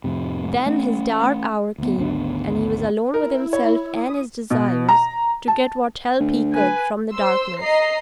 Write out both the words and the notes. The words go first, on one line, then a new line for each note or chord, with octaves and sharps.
Then his dark hour came and he was alone with himself and his desires to get what help he could from the darkness.
F2 A2 C3
A3 C#4
D2 B3
G#1 D2 B3 D4
E4 A#4
C#5
D#6
B2
A#5
A5
D2
B4 G#5
C5 C6 E6
D#5 A#5 C7